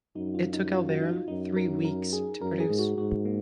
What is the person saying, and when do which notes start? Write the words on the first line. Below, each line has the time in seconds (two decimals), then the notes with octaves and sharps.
It took Elverum three weeks to produce.
0.16 F#2 D#4
0.35 F4
0.53 D#4
0.72 F4
0.90 F#4
1.01 D#4
1.09 F4
1.28 F#2 D#4
1.56 A#4
1.85 A#4
2.13 G#4
2.41 F#2 A#4
2.60 G#4
2.69 G#2
2.79 F#4
2.97 G#2 F#4
3.25 A#3